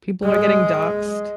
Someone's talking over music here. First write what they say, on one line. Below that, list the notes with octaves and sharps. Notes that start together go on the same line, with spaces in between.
People are getting doxxed.
G#3